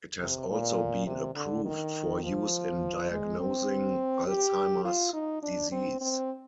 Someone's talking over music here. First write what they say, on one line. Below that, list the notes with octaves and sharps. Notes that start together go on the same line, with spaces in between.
It has also been approved for use in diagnosing Alzheimer's disease.
C3
A#2
C3
D3
D#3
F3
G#3
C4
G4
F4
D#4
D4
C4
C4